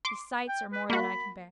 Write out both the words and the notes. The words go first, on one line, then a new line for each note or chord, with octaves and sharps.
These sights are more than I can bear.
C6 D6
G5
B4
A#3 F#4 B5